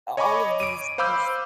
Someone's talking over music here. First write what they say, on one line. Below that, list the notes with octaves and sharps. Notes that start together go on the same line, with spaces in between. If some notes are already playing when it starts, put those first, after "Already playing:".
a all of these these
C#5 D#5 G#5 B5 C#6 D6
D7 D#7
C5 F5 B5 D6 E6 G6